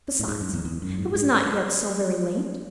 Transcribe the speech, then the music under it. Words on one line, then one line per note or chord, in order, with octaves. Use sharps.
Besides, it was not yet so very late.
A2
G#2
F#2
E2
E2
F#2
G#2
G#2